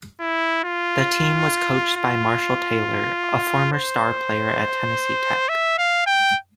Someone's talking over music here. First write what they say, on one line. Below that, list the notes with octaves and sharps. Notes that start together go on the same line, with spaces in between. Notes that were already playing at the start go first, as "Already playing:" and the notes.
The team was coached by Marshall Taylor, a former star player at Tennessee Tech.
E4
F4
F4
C5
E5
F5
G5